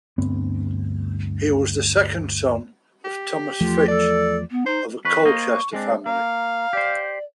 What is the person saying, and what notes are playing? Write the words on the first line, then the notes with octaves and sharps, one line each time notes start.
He was the second son of Thomas Fitch, of a Colchester family.
D2 G2 B3 C4
G4
E2 F3 A3 F4
A4 D5
B3
D#4 C5
F2 B4 C#6
A#3 C5 D#5
G#3 C4 D4
A#3 F5 A#5
G4 C5 D5